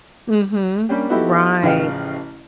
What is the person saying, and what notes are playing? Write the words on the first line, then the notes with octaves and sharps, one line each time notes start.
Mhm. Right.
G3 A#3 C#4 D4 G4
B3 D#4 E4 F#4 G4 A4
A1 C#3 F3 D#5 F5 G5